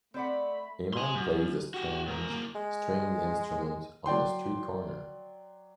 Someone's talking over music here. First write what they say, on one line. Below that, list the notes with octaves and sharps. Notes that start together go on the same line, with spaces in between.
A man plays a strange stringed instrument on a street corner.
A3 C4 D5 F#5 B5
G#5 C6
F#2
F#4 G4
G#2 A#4
F#2 A#3
G#3
F#3 D5 G5 C6